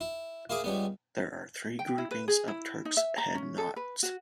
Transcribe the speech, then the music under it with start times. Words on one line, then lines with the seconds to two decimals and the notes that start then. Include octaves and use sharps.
There are three groupings of Turk's head knots.
0.01 E4
0.50 A#3 E4 G#4 D6
0.64 C#2 G3 B3
1.79 G5
1.98 E4
2.11 B4
2.28 G#4
2.48 E4
2.85 D#4
2.97 E5
3.18 A#5
3.35 C#4
3.58 A4
3.76 B4
4.03 F#4